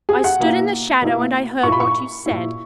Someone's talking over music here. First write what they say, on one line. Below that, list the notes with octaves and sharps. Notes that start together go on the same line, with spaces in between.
I stood in the shadow, and I heard what you said.
G#4
F#5
B2 A#3 E4
B2 A#3 E4
A#2 A#3 E4 C#6
B5
C#6
A#2 A#3 E4